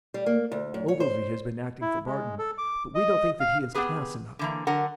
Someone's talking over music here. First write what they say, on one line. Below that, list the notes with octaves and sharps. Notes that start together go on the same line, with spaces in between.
Ogilvy has been acting for Barton, but we don't think that he is class enough.
G3
A#3
D2
F#2
C#5
C5
E4
G#3
A4
D6
D#5
F5
B3 C4 G4 G#4 B4
D3 E3 A#3
D3 F#3 A#4 F#5